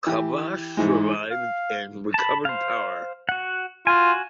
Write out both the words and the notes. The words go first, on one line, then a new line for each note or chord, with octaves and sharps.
Chavash survived, and recovered power.
E3 G4
G#2 E3 G#3
F5
A5 B5
C5 F5
F#4 F#5
F4 F#4 G#5